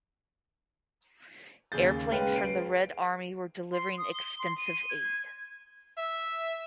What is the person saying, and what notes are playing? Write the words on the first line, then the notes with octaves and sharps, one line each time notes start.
Airplanes from the Red Army were delivering extensive aid.
D#2 C#3 G#4 G6 A6
G#3 C#4 B4 F5 G5
C7 D7
C6
D#6
G7
C6
D#7
G#6
E5